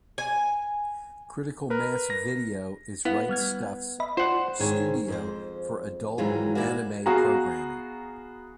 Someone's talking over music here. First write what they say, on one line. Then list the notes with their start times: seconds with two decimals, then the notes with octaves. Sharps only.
Critical Mass Video is Right Stuf's studio for adult anime programming.
0.18 G#5
1.70 A#4 B4
2.10 A#6
3.05 B3 E4 F5
3.29 G3 F6 G#6
4.00 D#5 E5 B5
4.17 F4 C5 D5 F#5
4.59 G#2 D#3 G#4 C5 C#5
5.08 F2 G#3 C5
6.18 G#2 D#3 E3 F#3 G#3 F4
6.55 F#4 A#4 B4 D5 E5 G#5
7.06 B3 F#4 G#4 F5 A#5